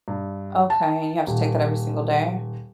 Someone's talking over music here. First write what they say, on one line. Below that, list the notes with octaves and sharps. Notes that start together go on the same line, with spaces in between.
Okay, and you have to take that every single day?
G2
A5
D#1